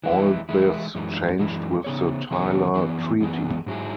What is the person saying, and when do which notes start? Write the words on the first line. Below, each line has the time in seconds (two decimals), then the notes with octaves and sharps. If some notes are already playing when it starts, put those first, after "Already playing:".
All this changed with the Tyler treaty.
0.04 E3 G#3 E4
0.49 E3 G#3 E4
0.95 F#2 E3 G#3
1.39 F#2 E3 G#3
1.84 C#3 E3 B3 G#4 C#5
2.31 C#3 E3 B3 G#4 C#5
2.75 F#2 E3 B3 G#4
3.20 F#2 E3 B3 G#4
3.66 G#2 F#3 E4 G#4